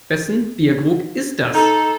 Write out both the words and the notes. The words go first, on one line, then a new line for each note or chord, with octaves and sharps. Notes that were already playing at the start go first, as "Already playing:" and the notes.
Wessen Bierkrug ist das?
D#4 A4